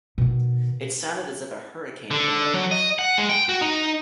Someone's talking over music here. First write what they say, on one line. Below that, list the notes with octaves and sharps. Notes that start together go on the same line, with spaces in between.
It sounded as if a hurricane had been let loose.
B2 D#3
D3
F#3
D#5
F#5
G#3
G5
F#4
D#4